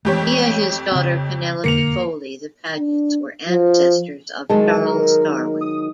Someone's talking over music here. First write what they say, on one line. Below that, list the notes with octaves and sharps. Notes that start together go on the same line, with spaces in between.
Via his daughter Penelope Foley the Pagets were ancestors of Charles Darwin.
F2 E3 G#3 A3 G4 C#5
C#3 C4
E1 F2 D3 A#3 C#7 F7
D4
F3
D#3 F#3 G#3 A5
A#4
D#6